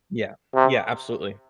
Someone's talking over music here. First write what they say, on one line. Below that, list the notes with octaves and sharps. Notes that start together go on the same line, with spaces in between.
Yeah, yeah, absolutely.
C3